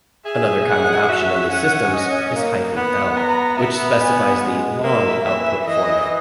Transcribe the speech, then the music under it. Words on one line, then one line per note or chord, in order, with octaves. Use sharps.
Another common option on these systems is -l, which specifies the "long" output format.
G#4 E5
F#5
F#4 E5
C#4 F#5
D#5
A#3
B3 F#5
B3 A#5
B3 E5
G#5
G#3
A#3 E5
E3 E5
E3 D#5